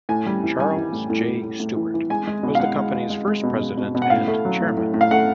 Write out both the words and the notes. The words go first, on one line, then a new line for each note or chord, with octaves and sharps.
Charles J. Stewart was the company's first president and chairman.
A2 G#5
G3
E3
G3 G#5
E3
A2
A2
A2
A2
A2
E3
E3
G#3 G#5
G#3
B2
F5
G#3 F#5
G#3
G#3
G#3
G#3
B2
G#3
B2
B2
F#5
A2 F5
A3
F#3
A2
A2
A2
F5
A3 F#5